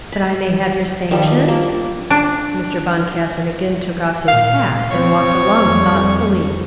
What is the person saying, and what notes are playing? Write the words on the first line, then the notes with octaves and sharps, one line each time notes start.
"But I may have your sanction?" Mr. Boncassen again took off his hat and walked along thoughtfully.
B5
D#3 F3 G3
A#3 D4 A#4
D4
A#2 F5
F3 C4 C#5
F2 G3